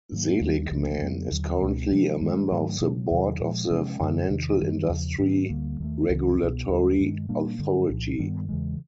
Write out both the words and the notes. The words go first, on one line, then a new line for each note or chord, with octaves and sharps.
Seligman is currently a member of the board of the Financial Industry Regulatory Authority.
G#2 D#3 F#3 A#3
D#2 D#3 G3 A#3
C#2 C#3 F3 A#3
F2 C#3 F#3 B3
D#2 D3 F#3
C#2 B2 G#3 C4
C3 F3 G#3
G2 D#3 G#3
G#2 D#3 F#3 A3
B2 F#3 B3
E2 C3 D#3 F#3
A#2 F3 G#3
C3 F3 G#3 C#4
F#2 D3 G3
E2 C3 D#3
F#2 D#3 G3
E2 C#3 F3
G#2 D#3 G#3 C4
D2 D3 G3 A#3
D#2 D#3 F#3 A3
C#2 C#3 E3
C2 B2 G3 B3
D#2 D3 G3
G2 D#3 G#3
A#2 G3 A#3 D4
G2 D3 G3
C2 A#2 F3
G2 D#3 G3 B3
E2 C#3 E3 G#3